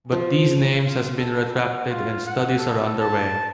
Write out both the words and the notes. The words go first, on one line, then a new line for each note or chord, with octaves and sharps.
But these names has been retracted and studies are underway.
F3
F4
A4
F#5
F4
F#5
A4
A5